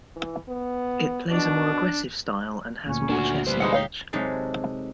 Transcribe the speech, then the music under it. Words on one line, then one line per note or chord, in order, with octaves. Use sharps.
It plays a more aggressive style and has more chess knowledge.
E3
B3
B2 D4
D2 A#2 C#4
D4 F#4
G3 B4 C5
E3 G#3 D#4 F#5
G4 C#5 F5
C3 F#3 G#3 D#4 A4